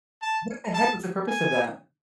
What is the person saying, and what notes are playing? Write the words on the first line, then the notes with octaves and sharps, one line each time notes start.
What the heck was the purpose of that?
A5
A5
G#5